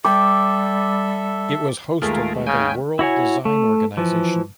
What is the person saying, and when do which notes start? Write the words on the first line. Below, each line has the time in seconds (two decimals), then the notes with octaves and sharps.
It was hosted by the World Design Organization.
0.04 G3 A4 E5 G5 D6
2.02 D#2 G#3 A3 F4 G#4 A#4
2.47 C#3 G5 G#5
2.99 E4 F#4 C#5 G#5
3.45 A3
3.97 E3 F3